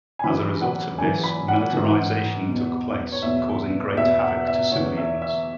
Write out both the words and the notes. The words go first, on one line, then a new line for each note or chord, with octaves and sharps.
As a result of this, militarisation took place, causing great havoc to civilians.
G#5
F#2 E3 B5
F#5
F#2 E3 G#5
B5
F#5
G#2 E3
E2 B2
C#5
E2 B2 E5
E2 B2 E5
F#5
E5
E2 E3 C#5
E5
E5